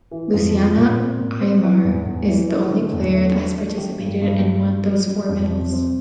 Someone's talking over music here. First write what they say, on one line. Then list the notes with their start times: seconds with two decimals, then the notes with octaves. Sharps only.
Luciana Aymar is the only player that has participated and won those four medals.
0.11 E3
0.34 F2
0.55 F4
0.76 A#2
0.98 C4
1.20 A#2
1.41 C4
1.63 E3
1.85 E2
2.06 E2
2.28 E3
2.49 A3
2.70 D3
2.93 E2
3.14 A3
3.35 D4
3.57 A3
3.78 G4
3.99 G2
4.22 G2
4.43 G3
4.64 G3
4.86 G3
5.08 G3
5.29 F2
5.50 C3
5.72 C4